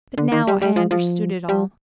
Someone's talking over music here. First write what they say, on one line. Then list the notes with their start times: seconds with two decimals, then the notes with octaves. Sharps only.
But now I understood it all.
0.18 D3
0.32 D#3
0.47 G3
0.62 G3
0.76 F3
0.91 F3
1.49 G3